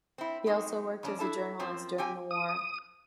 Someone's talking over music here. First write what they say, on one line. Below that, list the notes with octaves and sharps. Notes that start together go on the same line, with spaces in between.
He also worked as a journalist during the war.
C4 E4
F#3 G#3 C4 D#4
F2 C#4 D4
D4 E4 A4 A5
F#2 F3 C4
C4 G4 G5 G#5
D#6